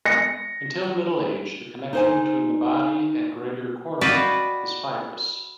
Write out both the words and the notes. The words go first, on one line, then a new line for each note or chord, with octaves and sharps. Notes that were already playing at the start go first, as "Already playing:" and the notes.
Until middle age the connection between the body and greater cornu is fibrous.
A#6 C#7
D#4 C5 G#5
F#4 B4 D5 D#5 F5 G5